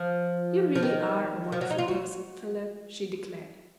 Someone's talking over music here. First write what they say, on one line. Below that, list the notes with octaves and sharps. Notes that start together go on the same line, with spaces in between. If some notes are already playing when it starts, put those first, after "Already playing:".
"You really are a wonderful person, Philip," she declared.
Already playing: F3
F3
D#3
F3
F#3
D#4
F4
F#4